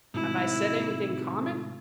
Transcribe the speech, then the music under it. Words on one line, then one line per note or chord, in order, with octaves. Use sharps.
"Have I said anything comic?"
G#1 A2 C3 G#3 E4